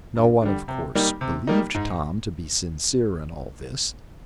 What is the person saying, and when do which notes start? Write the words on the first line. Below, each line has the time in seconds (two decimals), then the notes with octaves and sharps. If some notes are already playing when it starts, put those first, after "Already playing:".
No one, of course believed Tom to be sincere in all this.
0.15 G2
0.42 D3 G3
0.68 C3
0.95 G3 A#3 D#4
1.21 C3
1.47 G3 A#3 D#4
1.74 G#2